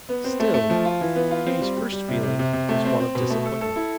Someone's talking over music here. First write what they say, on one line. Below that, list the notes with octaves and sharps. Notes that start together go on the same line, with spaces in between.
Still, Katy's first feeling was one of disappointment.
B3
C4
A3
A3
F3
F4
E3
B3
F4
C4
G3
G3
G3
C3
C3
C3
C3
A3
C4
C4
B2
A3
A4
A4
E4